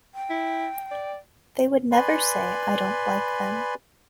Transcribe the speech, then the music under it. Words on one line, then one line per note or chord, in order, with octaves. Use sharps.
They would never say, 'I don't like them'.
G5
E4
D5
B4 D5 G#5 B5 C6